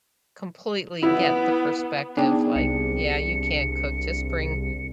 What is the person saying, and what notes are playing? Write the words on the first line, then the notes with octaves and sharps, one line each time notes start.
completely get the perspective, like, "Yeah, you can't cook, just bring
B3 E4
B3 D4 D#4 G#4 G5
C2 C#7